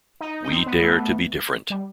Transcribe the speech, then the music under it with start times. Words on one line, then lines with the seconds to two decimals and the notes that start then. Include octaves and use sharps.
We Dare to Be Different.
0.21 D#4
0.44 D#4
0.51 C4
0.66 B3
0.81 A3
1.70 G3